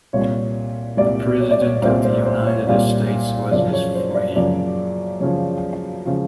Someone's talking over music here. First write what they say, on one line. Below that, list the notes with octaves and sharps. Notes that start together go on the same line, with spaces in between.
The President of the United States was his friend.
C2 A#2 G3 C#5
C2 A#2 G3 D5
C#5
D5
C#5
C2 A#2 G3 C5
C5
C5
C#5
C2 A#2 G3
F#2 C#3 F3 D5
C#5
C5
D5
F#2 C#3 F3 D5
F#2 C#3 F3 C#5
C#3 F3